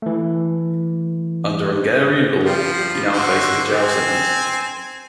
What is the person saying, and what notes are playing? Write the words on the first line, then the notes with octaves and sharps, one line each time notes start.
Under Hungarian law he now faces a jail sentence.
E3 A3
F3 G3
D3 F#4 C5
C4 G#5